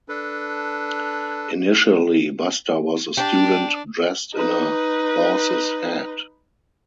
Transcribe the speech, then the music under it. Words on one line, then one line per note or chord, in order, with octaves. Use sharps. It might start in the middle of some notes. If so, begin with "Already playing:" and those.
Initially Buster was a student dressed in a horse's head.
D4 A4 B4
D4 G4 D5
D#4 B4